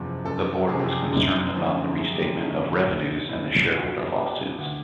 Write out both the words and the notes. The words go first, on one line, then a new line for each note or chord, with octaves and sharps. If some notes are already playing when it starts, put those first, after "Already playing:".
The board was concerned about the restatement of revenues and the shareholder lawsuits.
Already playing: F#1 E2 C3 F3
F#1 A4
E2 C3 F3 G#4
G4
G#4
F#2
D3 F3 A3 C#4
F#2 G#4
G4
G#4
D3 F3 A3 C#4
B1
B2 G#3 E4
B1 F4
F#4
F4
B2 G#3 G4
D2